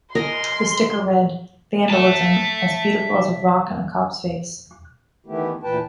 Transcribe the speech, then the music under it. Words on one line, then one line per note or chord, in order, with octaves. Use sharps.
The sticker read: "Vandalism: As beautiful as a rock in a cop's face".
A#4 D#5 G#5 C6
E5 A5
D#3 E3 A3 B3 E4 G4
D2 A#2 E3 B4 G5 A5